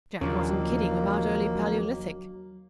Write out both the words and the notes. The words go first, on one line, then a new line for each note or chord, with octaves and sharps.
Jack wasn't kidding about early Paleolithic.
D#2 C#3 F3 F#3 A#3 D4